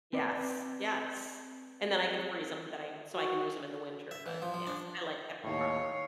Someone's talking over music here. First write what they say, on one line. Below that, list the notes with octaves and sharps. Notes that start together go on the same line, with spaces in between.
Yes, yes, and then I can freeze 'em that I so I can use 'em in the winter, but yes, I like having crop.
C4 B4 D5
F#4
E5
E3
F3
F3
D4
D#2 A2 C#5 F5